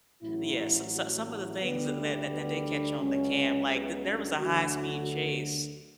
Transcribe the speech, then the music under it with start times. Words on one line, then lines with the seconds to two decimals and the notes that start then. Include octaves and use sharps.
yeah, so so some of the things that that that that they catch on the cam, like, the there was a high-speed chase
0.23 A1 A2 F#3 E4
0.92 F#4
1.27 E4
1.61 D2 D3 G3 B3
1.96 A3
2.30 B3
2.66 D4
3.00 C#2 C#3 F#3 C#4
3.70 B3
4.05 D4
4.39 D2 D3 F#3 F#4
5.08 F#4